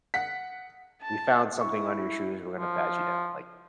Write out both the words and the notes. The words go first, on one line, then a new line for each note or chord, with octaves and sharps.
we found something on your shoes, we're gonna pat you down," like
F#5 B6
A5
E4 C#6
F3